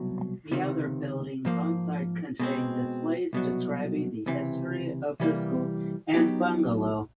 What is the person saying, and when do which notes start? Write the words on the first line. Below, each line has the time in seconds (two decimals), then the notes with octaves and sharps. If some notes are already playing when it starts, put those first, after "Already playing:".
The other buildings onsite contain displays describing the history of the school and bungalow.
Already playing: C2 B2 F#3
0.51 C#2 C3 D#3
1.45 G#2 F3 A#3
2.39 B2 G#3 C4
3.33 C2 B2 F#3
4.26 C#2 C3 E3
5.20 C3 E3 G3 A#3
6.14 F#3 B3 D#4 G4